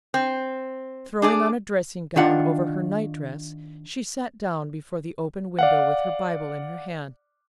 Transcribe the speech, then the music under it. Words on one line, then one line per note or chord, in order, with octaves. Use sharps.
Throwing on a dressing-gown over her night dress, she sat down before the open window with her Bible in her hand.
C4
D4 G#4 D5
D#3 D4 F4 F#5
D5 F5 F#5